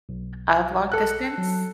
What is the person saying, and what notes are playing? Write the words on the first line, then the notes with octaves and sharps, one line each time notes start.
of long distance,
B1
A4 F#6
F#3